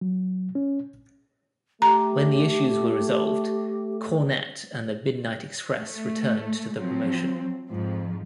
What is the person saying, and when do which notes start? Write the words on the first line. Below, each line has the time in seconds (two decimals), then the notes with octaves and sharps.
When the issues were resolved, Cornette and the Midnight Express returned to the promotion.
0.01 F#3
0.55 C#4
1.82 A3 G4 A#5
5.77 A3
6.75 F3 F#3 C4
7.69 F2 G#2 F3